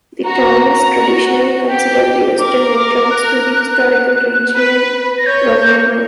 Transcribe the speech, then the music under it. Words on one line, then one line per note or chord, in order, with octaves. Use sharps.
The town is traditionally considered the western entrance to the historical region Romagna.
F#4 A#5
F#4
G4 G5
A#4 D6
D6
F#6
B4
A#6
C#5 G6